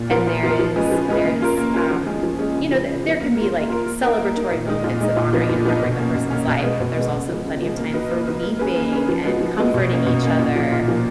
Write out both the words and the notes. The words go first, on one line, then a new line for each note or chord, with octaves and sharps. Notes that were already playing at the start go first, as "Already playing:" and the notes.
and there is there is, um, you know, th there can be, like, celebratory moments of honoring and remembering the person's life, but there's also plenty of time for weeping and comforting each other.
Already playing: A#2
F3 B3 F4 A#4
A#2
F3 B3 F4 A#4
F3
G#3 C#4 G#4 B4
F3
G#3 C#4 G#4 B4
A#3
C#4 F4 A#4
A#3
C#4 F4 A#4
F3
G#3 C#4 G#4
F3
G#3 C#4 G#4
C#3
F3 B3
C#3
F3 B3
A#3
F4 A#4
A#3
F4 A#4
A#3
D#4 A#4
A#3
D#4 A#4
A#2
G#3 D#4
A#2
G#3 D#4
A#2
F3 B3 D#4
A#2
F3 B3 D#4
B2
A#3 C#4
B2
A#3 C#4
B2
G#3 B3
B2
G#3 B3
C#3
F3 G#3
C#3
F3 G#3
A#3
D#4 F#4 B4
A#3
D#4 F#4 B4
A#3
C#4 G#4 B4
A#3
C#4 G#4 B4
F3
G#3 B3 F#4
F3
G#3 B3 F#4
B2
A#3 C#4
B2
A#3 C#4
A#2
F3 A#3
A#2
F3 A#3